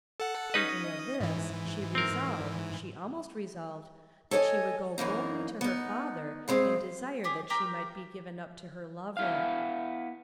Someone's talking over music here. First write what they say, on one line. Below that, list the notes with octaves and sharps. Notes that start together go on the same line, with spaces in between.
Thinking of this she resolved--she almost resolved--that she would go boldly to her father and desire that she might be given up to her lover.
A4 F#5
C#4 D#4 B4 D#5
G#2 E3
C4 A#4
A4 C#5 D#5 G#5
F#2 E3 A#3 D#4
B3 D#4
G2 G#3 C4
G4 G#4 D6
G4 A#4 G5
B3 E4 F5